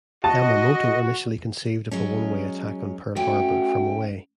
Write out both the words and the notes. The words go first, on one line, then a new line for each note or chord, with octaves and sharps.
Yamamoto initially conceived of a one-way attack on Pearl Harbor from away.
F#4 D#5 A5
F#3 G#3 C#4
A3 C#4 F#4 G5